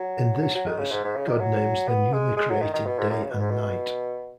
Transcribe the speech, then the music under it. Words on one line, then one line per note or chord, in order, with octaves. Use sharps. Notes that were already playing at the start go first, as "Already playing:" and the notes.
In this verse, God names the newly created day and night.
Already playing: F#3
F#3
F#3
D#3
C#3
G#2
G#2
C#3
D#3
F#3
B3
G#3
G#3
F#3
D#3
D#3
B2
G#2
F#2
C#3
B2
G#2
B2